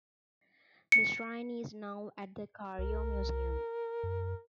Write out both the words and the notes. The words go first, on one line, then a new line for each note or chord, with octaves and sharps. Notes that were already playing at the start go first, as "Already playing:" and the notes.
The shrine is now at the Cairo Museum.
C#7
C2 A#4
F#2